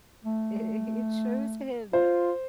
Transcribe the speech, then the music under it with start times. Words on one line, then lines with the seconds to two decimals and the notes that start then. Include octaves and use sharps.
it it shows him
0.25 A3
1.93 F4 C5